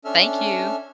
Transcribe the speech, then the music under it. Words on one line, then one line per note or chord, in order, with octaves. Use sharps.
Thank you.
C#4 D4 A4 E5 F6